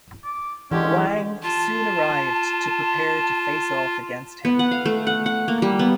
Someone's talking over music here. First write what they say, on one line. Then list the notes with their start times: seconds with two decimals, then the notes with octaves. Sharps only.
Wang soon arrived to prepare to face off against him.
0.24 D6
0.71 D3 E3 G#3 C#4 G4
1.43 F4 A5
4.45 B3
4.59 F#5
4.71 F5
4.86 A3
5.07 F#5
5.26 F#5
5.48 A#3
5.62 G3
5.79 B3